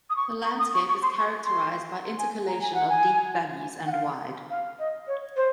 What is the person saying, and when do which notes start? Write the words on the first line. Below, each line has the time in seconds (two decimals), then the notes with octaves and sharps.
The landscape is characterized by intercalation of deep valleys and wide.
0.09 D#6
0.15 C#6
0.44 C#6
0.59 D#6
0.73 C#6
0.88 C#6
1.02 C6
1.17 C#6
1.45 C6
2.18 G#5
2.47 A#5
2.61 G#5
2.74 F#5
2.89 G#5
3.86 F#5
3.91 F5
4.50 F5
4.78 D#5
5.07 C#5
5.36 C5